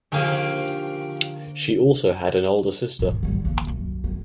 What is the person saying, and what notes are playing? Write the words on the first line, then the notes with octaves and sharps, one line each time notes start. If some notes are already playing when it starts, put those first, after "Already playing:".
She also had an older sister.
D3 D#3 F3 A#3 G4 G#4
G#2 G#3
D#3 G3
C#3 A#3
C2 F#2
G#3